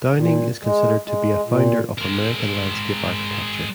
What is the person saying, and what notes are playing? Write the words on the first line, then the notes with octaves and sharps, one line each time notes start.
Downing is considered to be a founder of American landscape architecture.
A#2
G#3
G#3
A#2
G#3 A#4